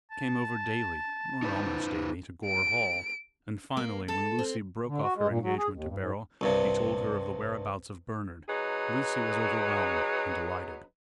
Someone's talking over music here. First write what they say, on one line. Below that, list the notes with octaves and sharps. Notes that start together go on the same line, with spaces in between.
He came over daily--or almost daily--to Gore Hall, and, finally, when Lucy broke off her engagement to Beryl, he told her of the whereabouts of Bernard. Lucy was overwhelmed and delighted.
A5
D#4 B4 C5
D7
A#3
A4 A5
C4
D3
F#4
G#3
A#2
F#3
G#4
D#2
G2
G#2
C2 G2 C3
F#3 D#4 G#4 B4